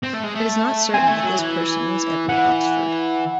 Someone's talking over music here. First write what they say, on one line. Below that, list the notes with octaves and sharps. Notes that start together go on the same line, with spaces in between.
It is not certain that this person was Edward Oxford.
C4
A3
G#3
A3
C4 G#5
A3
F#3
E3
E3 F#5